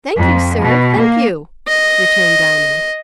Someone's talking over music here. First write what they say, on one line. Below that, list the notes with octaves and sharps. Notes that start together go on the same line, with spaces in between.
"Thank you, sir, thank you," returned Diamond.
F2
B2
A#3
D#5